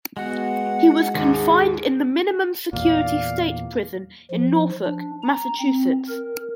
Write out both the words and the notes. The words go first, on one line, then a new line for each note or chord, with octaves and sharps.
He was confined in the minimum security state prison in Norfolk, Massachusetts.
G#3 B3 F#4 F#5
D#2 G#2 G#4
E2 A#2 D5 F5
F3
D4
A#5
C4
A#4